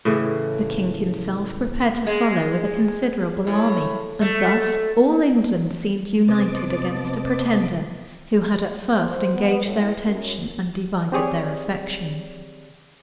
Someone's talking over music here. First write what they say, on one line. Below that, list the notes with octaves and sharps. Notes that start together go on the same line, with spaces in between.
The king himself prepared to follow with a considerable army; and thus all England seemed united against a pretender who had at first engaged their attention and divided their affections.
A2 C#3 E3
G#3
A2
A3
C3 B3 C4 D#5 A5 D6
C5
B3
A2
F#2
C4 G4 G#4 C#5 D5